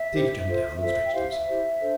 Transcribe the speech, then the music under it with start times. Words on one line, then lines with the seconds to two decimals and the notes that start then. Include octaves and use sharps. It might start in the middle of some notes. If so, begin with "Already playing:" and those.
Steve jumped down and stretched himself.
Already playing: E5
0.14 E4 G4 C5
0.46 F4 A4 C5
0.80 F4 A4 C5 E5
1.04 G5
1.13 E4 G4 C5 F5
1.31 E5
1.47 E4 G4 C5
1.81 D4 A4 C5